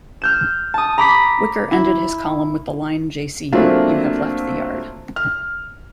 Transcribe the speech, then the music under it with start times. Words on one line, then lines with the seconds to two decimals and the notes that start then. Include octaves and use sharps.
Whicker ended his column with the line Jaycee, you have left the yard.
0.22 F6 G6 E7
0.74 A5 D#6
0.98 A#5 B5 D6 D#6 B6
1.72 E4
3.52 F#3 A3 A#3 C4 D4 F4
5.16 F6